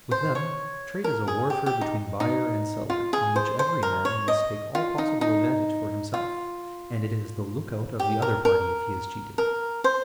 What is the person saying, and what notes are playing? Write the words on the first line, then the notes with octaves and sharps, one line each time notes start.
With them, trade is a warfare between buyer and seller, in which every man must take all possible advantage for himself, and it is the lookout of the other party if he is cheated.
C5
C#5
A#4
G#4
G4
G4
D#4
D#4
F4
G#4
C5
C5
A#4
C#5
D#5
F4
D#4
D#4
F4
G4
A#4
A#4
A#4
C5